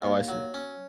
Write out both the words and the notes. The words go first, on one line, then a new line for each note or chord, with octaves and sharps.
Oh, I see.
D#2
F#3
C#4